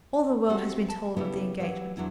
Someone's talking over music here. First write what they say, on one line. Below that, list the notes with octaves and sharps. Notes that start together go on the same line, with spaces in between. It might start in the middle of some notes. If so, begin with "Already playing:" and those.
All the world has been told of the engagement.
G3 B3 C4 F#4
A5
C#3 G3 B3 E4 G4 A4
E3 F#3 G4
E2 F#3 D4 E4